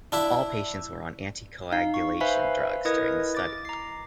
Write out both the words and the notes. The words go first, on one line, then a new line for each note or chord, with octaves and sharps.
All patients were on anticoagulation drugs during the study.
D4 E4 E5
D#4 F5
C#6
B4 C5 E5 F5 G#5 B5
E4 A#4 B4 D#5 D#6 G#6
D6 A6
A#5 C7